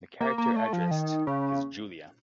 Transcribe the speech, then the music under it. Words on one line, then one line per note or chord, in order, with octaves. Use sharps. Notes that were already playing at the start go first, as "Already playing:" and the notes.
The character addressed is Julia.
A#3
A#3
A3
F3
D#3
C#3